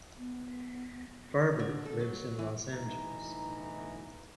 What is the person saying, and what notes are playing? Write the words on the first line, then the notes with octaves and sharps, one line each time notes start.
Farber lives in Los Angeles.
B3
D3
A4
F#3
E3
B1 A2 D3 E3 D#4 A#5